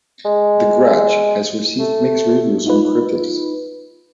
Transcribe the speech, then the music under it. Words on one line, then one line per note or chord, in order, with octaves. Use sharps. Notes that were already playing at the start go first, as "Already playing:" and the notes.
"The Grudge" has received mixed reviews from critics.
G#3
A3
D#4 F4 B4